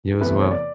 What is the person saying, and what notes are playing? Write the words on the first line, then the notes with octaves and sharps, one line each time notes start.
You as well.
E2 C3 E3 A3 B4
C5
C#5
D5